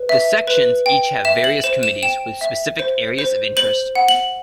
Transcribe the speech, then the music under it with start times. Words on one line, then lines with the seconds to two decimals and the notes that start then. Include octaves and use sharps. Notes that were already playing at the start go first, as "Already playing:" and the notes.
The Sections each have various committees with specific areas of interest.
Already playing: B4
0.09 E5
0.47 B4
0.86 G5
1.25 E5 E7
1.44 F#7
1.64 C5 E7
1.83 E7
2.03 G5 E7
2.41 E5
2.79 C5
3.19 C5
3.57 C5 F#7
3.95 F#5
4.08 F#7